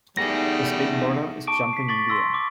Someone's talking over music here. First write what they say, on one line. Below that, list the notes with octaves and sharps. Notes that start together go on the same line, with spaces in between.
The skateboarder is jumping in the air.
G3 A3 B3 D#4 G#4 F#5 A#6
A5 C#6 D6 D7
B6 C7
C#6 D6 A6 B6 F#7
C6 E6 A#6
C#6 D6